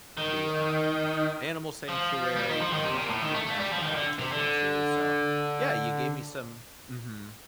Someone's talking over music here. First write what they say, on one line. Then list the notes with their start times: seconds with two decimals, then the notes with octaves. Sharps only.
the, um, animal sanctuary and the pumpkin patch that I could take him to. So, yeah, you gave me some mhm.
0.17 D#3
1.88 F3
2.36 G3
2.49 D#3
2.62 F3
2.73 D#3
2.85 C3
2.98 A#2
3.10 A2
3.21 D#3
3.34 A3
3.46 A3
3.58 G3
3.71 F3
3.82 D#3
3.95 D3
4.19 C3
4.31 D3